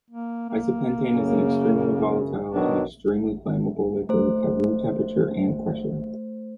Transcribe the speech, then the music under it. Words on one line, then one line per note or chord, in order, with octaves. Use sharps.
Isopentane is an extremely volatile and extremely flammable liquid at room temperature and pressure.
A#3
A#3
F#2 C#3
B2 D#3 F#3 D4
A3 C5